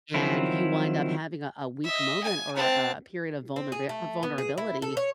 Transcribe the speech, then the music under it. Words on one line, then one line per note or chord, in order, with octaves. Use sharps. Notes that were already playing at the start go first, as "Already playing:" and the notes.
and you wind up having a a weak moment or a period of vulnerabi of vulnerability,
D#3 F3 F#3 C4 E4
D#5 E5
G#5
C4 A5
C4
G#4
A3
B3
G#4
E4
A4
C#5